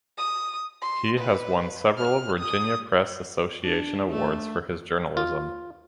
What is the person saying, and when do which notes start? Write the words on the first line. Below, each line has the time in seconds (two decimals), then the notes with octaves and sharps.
He has won several Virginia Press Association awards for his journalism.
0.18 D#6
0.82 C6
1.18 B4
1.98 F6
2.39 D#6
3.62 D4
4.10 A3
5.17 F4